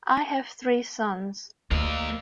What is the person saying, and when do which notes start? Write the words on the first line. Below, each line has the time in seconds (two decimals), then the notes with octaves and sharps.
I have three sons.
1.71 D2 A#3 D#5